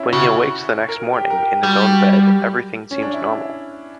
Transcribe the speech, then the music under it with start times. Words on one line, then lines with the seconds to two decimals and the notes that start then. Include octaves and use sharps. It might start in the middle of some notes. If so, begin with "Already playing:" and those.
When he awakes the next morning, in his own bed, everything seems normal.
Already playing: C#4 E4
0.13 C#3 F#4
0.89 A#4
1.13 G4
1.30 A#4
1.38 G4
1.63 G3 F#4
1.77 G4
1.91 F#4
2.91 C#4
3.02 D4
3.14 E4